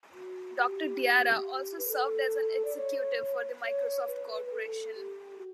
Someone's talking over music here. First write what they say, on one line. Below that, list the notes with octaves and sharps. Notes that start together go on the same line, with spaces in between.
Doctor Diarra also served as an executive for the Microsoft Corporation.
F#4
G4
B4
A4
D5
C#5
C#5
B4
A4
G4
F#4